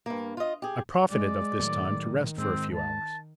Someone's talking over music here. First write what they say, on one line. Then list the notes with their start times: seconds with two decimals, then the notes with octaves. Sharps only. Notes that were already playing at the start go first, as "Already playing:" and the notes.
I profited of this time to rest for a few hours.
0.06 G2 A#3
0.37 F4 D#5
0.62 G4 G#4
1.10 G#3 D5
1.60 A2 D#3 F#3 G#3
2.38 G#2 G#3 C4
2.73 A5